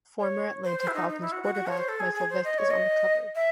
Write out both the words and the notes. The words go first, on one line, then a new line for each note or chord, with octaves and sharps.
Former Atlanta Falcons quarterback Michael Vick is on the cover.
C#5
C5
C5
E4
D#4
D#4
E4
F#4
F#4
F#4
C#5
C5
A4
G#4
G#4
C5
D#5
C#5
D#5
E5